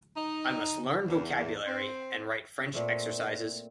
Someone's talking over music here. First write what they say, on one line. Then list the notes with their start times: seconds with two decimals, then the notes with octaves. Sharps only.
I must learn vocabulary, and write French exercises.
0.15 D#4
1.06 E2
1.66 C4
2.74 A#2 A3 C4